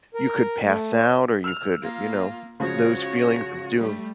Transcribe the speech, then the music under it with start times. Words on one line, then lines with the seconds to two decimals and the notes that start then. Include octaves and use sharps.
you could pass out or you could, you know those feelings of doom.
0.14 A#4
0.64 A3
0.96 C#5
1.44 E6 F6 F7
1.82 A#3 F4
2.60 C#3 F3 G#3 F#4 C#5
3.79 G3 A3